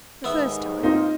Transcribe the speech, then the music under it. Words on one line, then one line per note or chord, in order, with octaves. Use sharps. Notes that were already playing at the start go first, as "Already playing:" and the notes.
"The first time?"
D#2 G#2 B3 E5
A#3 C4 D#4 F4